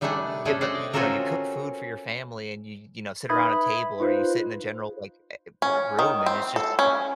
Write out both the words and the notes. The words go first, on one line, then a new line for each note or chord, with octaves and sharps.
you m you know, you cook food for your family and you you know, sit around a table or you sit in a general, like, eh eh, r room and it's just, you know
D#3 G3 A3 D4 F#5 G#5
A3 C#4 D4 G#4 A4
C5 D5 D#5 F#5 G5
C4 C#4 F4 F#4 A4 A#4
D#4 B4 E5 B5 D#6 G#6
B5
D#4 F4 B4 C5
C#4
D#3
C4
A4
C#4